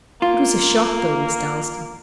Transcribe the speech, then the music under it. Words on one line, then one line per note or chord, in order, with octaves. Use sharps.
It was a shock, though, Miss Dalstan.
A#3 F4